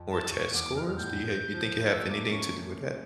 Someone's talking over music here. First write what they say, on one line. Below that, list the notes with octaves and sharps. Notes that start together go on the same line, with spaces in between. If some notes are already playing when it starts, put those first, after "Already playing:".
or test scores? Do you ha do you think it have anything to do with that?
Already playing: F2
A5
C#6
E2 D6
F2 F6
F6
A2 G6
F3
A3 E6
A#3 D6
C#4 C#6